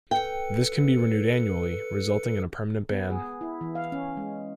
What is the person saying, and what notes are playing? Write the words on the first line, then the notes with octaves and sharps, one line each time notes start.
This can be renewed annually, resulting in a permanent ban.
A4 B4 G5 C#7
B3
G#4
E4
E3
F5
C#4
G#3